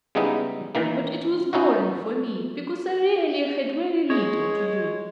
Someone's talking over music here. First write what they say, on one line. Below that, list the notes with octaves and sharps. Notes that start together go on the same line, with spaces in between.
But it was boring for me, because I really had very little to do.
C#3 G3 G#3 B3 D#4 E4
A#2 D#3 E3 A#3
C#4 D#4 E4 F#4
G#3 C#5